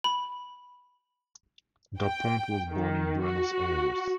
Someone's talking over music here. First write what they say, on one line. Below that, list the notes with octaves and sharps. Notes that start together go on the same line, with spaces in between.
Daponte was born in Buenos Aires.
B5
G5
D#3
F#4